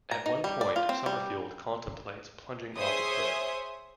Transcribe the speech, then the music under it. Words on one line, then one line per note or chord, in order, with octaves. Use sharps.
At one point Summerfield contemplates plunging off a cliff.
A#5
D#4
G3
D5
F4
C4
G3
G#4 C5 C#5 E5 D#6